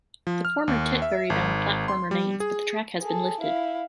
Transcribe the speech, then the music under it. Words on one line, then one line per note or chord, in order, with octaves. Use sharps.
The former Tetbury bound platform remains but the track has been lifted.
F3
F6
D#2
E5
G#1
C6
G3
G#4
G#4 A4
E4 F5